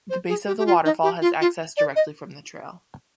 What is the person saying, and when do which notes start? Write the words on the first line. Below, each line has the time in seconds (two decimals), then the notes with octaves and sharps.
The base of the waterfall has access directly from the trail.
0.10 C5
0.28 G#4
0.46 G4
0.58 G4
0.66 F4
0.85 D#4
1.03 G4
1.21 F4
1.41 F4
1.77 D5
1.96 D#5